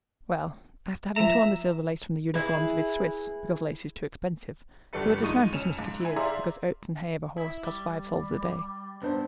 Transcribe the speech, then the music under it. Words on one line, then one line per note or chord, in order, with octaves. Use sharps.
"Well, after having torn the silver lace from the uniforms of his Swiss, because lace is too expensive, he will dismount his musketeers, because oats and hay of a horse cost five sols a day."
F3 E5 A#5 E7
E4 G#4 B4
G1 G2 G3 A4 B4 C#7
F3 G#3 D#4 C#6 D#7
F2 C#4 E7 F7
G#2
E4 G#5
G#4 C5 D5 E5 F5 A#5
E4
G3
C#2 G2 B3 D4 C5